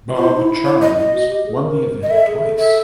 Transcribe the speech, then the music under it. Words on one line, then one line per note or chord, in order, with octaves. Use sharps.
Bob Charles won the event twice.
F4 C5
E4
D#4
E4
C#5
D#5
D#5
F#4
G4
G#4
A#4
D#5
A4 E5
G#4
A4
E5